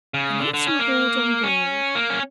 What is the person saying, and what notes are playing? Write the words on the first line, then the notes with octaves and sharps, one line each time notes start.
The nets were hauled on board.
C#3
D3
D3
C#4
A#3
C#4
A#3
C#4